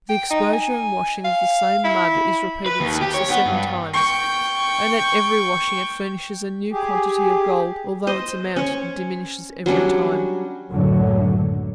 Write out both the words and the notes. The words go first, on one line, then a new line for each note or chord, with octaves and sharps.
The exposure and washing of the same mud is repeated six or seven times, and at every washing it furnishes a new quantity of gold, although its amount diminishes every time.
G5
D#4
G#5
F5
E4
B4
D#2
G4
C#5
B3
G2
G5 C#6
G4 G#4
C5 D#5
C#4 C#5
F#3 G3 C#4 D4
C#2 F#2 A2 D3 F#3